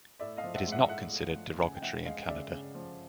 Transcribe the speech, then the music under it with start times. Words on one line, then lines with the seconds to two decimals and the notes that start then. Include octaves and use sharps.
It is not considered derogatory in Canada.
0.20 A2 D5 E5
0.37 D#5 F5
0.44 F3
0.55 E5 F#5
0.67 G#3
0.72 E5 F#5
0.89 A2 E5 F#5
1.13 A2
1.35 F3
1.59 C#3 F#5 G#5
1.77 G5
1.82 F3 E5 F#5
2.05 G#3 D#5 F5
2.28 C#3 D5 E5
2.52 C#3
2.74 F3